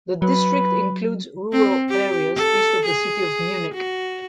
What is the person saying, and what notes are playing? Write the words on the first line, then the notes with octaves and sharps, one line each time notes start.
The district includes rural areas east of the city of Munich.
F#3 B4
C4
G4
A4
G#4
F#4